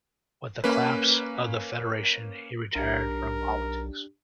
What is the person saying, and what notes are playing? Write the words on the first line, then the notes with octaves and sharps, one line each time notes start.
With the collapse of the Federation he retired from politics.
A#3 C#4 B4
B1 D4 G4 A#4